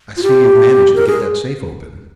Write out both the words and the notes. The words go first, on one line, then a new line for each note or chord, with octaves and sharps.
I see you've managed to get that safe open.
F4
G4
A#4
G#4